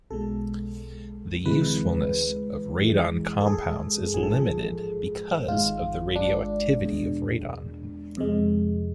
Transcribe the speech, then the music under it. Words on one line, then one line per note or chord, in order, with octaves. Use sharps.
The usefulness of radon compounds is limited because of the radioactivity of radon.
B1 B2 G#3 A4
D2 C3 E3 G#3 B4
F2 E3 G#3
A4
G#4
A1 G#2 F3 G#4
A4
G#4
G#1 G#2 G#3 F4
D4
E2 B2 G#3
F2 C3 G#3